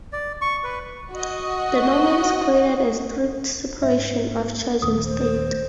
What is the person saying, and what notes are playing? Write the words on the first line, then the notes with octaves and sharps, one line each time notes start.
The Normans created a strict separation of Church and State.
D5
C#6
B4
F#4 D#5
G#2 E5
D#2 A#2 A3 D#6
C5